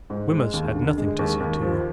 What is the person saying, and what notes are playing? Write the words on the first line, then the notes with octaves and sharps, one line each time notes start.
Wemyss had nothing to see to.
G#2
G#3
D#2
D3
G#3
D#2
D#2
F3